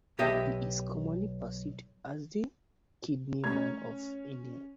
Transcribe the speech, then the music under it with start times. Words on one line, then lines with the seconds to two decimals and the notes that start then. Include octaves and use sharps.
He is commonly perceived as the "Kidney Man of India".
0.19 B1 G4 D#5 E5
3.44 A3 C#4 C#5 A#5 G#6